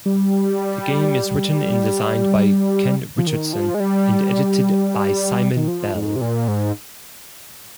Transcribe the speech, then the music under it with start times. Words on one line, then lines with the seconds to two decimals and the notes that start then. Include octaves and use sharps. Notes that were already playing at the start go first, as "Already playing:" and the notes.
The game is written and designed by Ken Richardson and edited by Simon Bell.
0.06 G3
3.18 F3
3.27 D#3
3.53 F3
3.74 G#3
3.80 G3
5.57 D#3
5.68 F3
5.95 G#2
6.16 C3
6.21 A#2
6.48 G#2